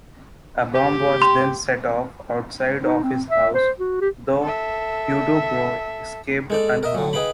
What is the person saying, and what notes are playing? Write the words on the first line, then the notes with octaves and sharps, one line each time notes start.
A bomb was then set off outside of his house, though Huidobro escaped unharmed.
G4
C6
D#4
C4
E5
C5
F#4
G4
A4 E5
G#3 A4 D5
A#4 D#5 E5
D3 F#3
D#4 G#4 B4 F5 G5 B5